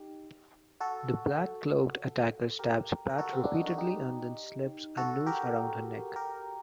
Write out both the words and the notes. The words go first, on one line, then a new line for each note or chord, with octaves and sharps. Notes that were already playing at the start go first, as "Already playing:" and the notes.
The black-cloaked attacker stabs Pat repeatedly and then slips a noose around her neck.
Already playing: D#4 G4
F#4 A4
G4 A#4
A#4
F#4 A4
C4
D4
D#4
F#4
D#4 G4
F#4 A4
G4 A#4
G4 A#4